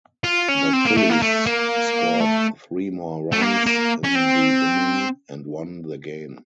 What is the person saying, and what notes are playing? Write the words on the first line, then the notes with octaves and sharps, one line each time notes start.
The Phillies scored three more runs in the inning and won the game.
F4
C#4
C4
A#3
A3
A#3
A3
A#3
A3
A3
A#3
A#3
C#4
C4